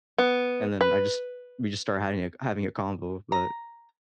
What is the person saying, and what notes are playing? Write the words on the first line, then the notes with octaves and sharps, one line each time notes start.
and then I just we just started hiding a having a convo, but,
B3
B4
A#5